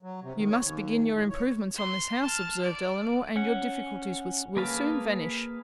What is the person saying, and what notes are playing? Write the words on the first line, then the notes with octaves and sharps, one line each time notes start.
"You must begin your improvements on this house," observed Elinor, "and your difficulties will soon vanish."
F#3
C3
D#3
C#5
D#2
A2
C#5
C6
A5 F6
D5
C#4 F#5
A#3 G#4 B4 F5 A5